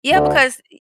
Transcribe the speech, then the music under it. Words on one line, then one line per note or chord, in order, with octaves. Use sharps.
Yeah, because y
D2 D3